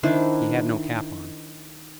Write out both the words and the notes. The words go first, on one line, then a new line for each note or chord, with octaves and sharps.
He had no cap on.
D#3 D4 E4 C5